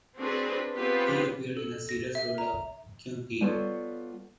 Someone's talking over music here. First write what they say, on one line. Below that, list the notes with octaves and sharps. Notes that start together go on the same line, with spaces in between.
He appeared in a serious role in Kyun Ki.
C4 D4 F#4 G#4 B4
B3 C4 F4 G4 G#4 B4
A4
A#6
E5
A#5
G3 B3 F4 A4 C#5 F#5